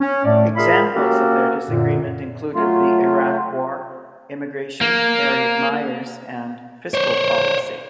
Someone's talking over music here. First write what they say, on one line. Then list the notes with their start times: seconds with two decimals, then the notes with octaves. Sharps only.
Examples of their disagreement included the Iraq War, immigration, Harriet Miers and fiscal policy.
0.01 C#4
0.25 A2 A3 D5
0.57 F4 G#4 A#4 E5 F5 B5
0.95 A#3 C#4 F#4 G4 A4 A#4
1.69 F#2 A#2 D3
2.55 F#3 A3 F4
4.81 A#3
6.94 C5 C#5